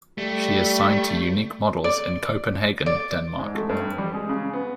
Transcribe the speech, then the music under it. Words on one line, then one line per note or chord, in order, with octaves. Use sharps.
She is signed to Unique Models in Copenhagen, Denmark.
G3 A3
D5
D5
G#2
A3
G2
G3
G#3
C#3
B3